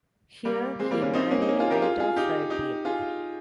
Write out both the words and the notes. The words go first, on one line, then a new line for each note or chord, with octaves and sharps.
Here he married Ida Friedlin.
G3 A#3
G#3 C4
G3 A#3
A#3 C#4
C4 D#4
A#3 C#4
D#4
A#3 C#4
F4 G#4
G4 A#4
F4 G#4
F4 G#4
D#4 G4
D#4 G4
F4 G#4